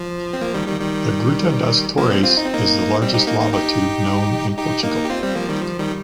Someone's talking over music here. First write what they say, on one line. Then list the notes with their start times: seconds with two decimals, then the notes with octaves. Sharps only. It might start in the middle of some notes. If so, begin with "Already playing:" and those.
The Gruta das Torres is the largest lava tube known in Portugal.
Already playing: F3
0.33 C4
0.41 F3 A#3
0.54 D#3 G3
0.68 D#3 G3
0.80 D#3 G3
1.97 F3 A#3
2.10 G3 C4
2.23 C4 F4
2.37 D#4
2.45 C4
2.54 A#3 D#4
3.02 G3 C4
3.14 D#4 G4
3.27 A#3 D#4
3.40 A#3 D#4
3.53 D#4 G4
4.57 D#4 G4
4.83 A#3 D#4
5.05 G4
5.10 C4 F4
5.23 G3 C4
5.35 F3 A#3
5.49 D#3 G3
5.61 F3
5.79 D#3 G3